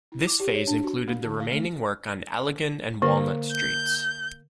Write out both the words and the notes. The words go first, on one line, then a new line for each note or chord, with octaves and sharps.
This phase included the remaining work on Allegan and Walnut streets.
E4
D6
G4
C#5
D4
F#4
A#3
D3
F5
A3
D3 A#3
G6